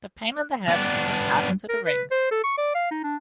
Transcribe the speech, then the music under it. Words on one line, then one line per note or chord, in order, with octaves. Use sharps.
The pain in the head would pass into the rings.
B3 D4
A#4
B4
C5
A4
C#6
D5
F5
D#4
D4